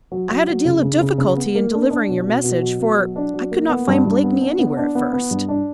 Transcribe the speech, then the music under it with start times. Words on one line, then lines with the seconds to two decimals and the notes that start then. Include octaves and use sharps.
"I had a deal of difficulty in delivering your message, for I could not find Blakeney anywhere at first . . ."
0.12 F#3
0.29 F#3
0.48 F#3
0.65 C#3
0.82 C#3
1.01 C#3
1.18 C#3
1.37 B3
1.55 A#3
1.73 D4
1.91 D4
2.09 B2
2.27 B2
2.44 B2
2.62 F#3
2.80 B2
2.98 F#3
3.16 D4
3.34 F#3
3.51 A#3
3.69 B3
3.88 G2
4.06 G2
4.24 B3
4.41 D4
4.59 B3
4.77 D4
4.95 B3
5.13 B3
5.31 G2
5.48 D4